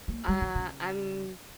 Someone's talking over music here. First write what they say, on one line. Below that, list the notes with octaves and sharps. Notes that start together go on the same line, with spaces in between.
uh, I'm
A#3
G3
D#3
C#3